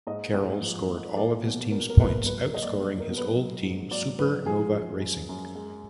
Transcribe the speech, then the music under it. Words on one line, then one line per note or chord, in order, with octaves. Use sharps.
Carroll scored all of his team's points, outscoring his old team Super Nova Racing.
G#2 D#5
G#2
F3
F3
A#3 D5
B2
B2 A#4
A#4
A#3 B4
A#4
F#3 B4
A#4
A#3 D#5
D5
F#3 D5
A#4
B2
B4
F#3
G#2
F#3 D5
G#2 B4
F3 G#4
F#2
F#2
F#2
G#3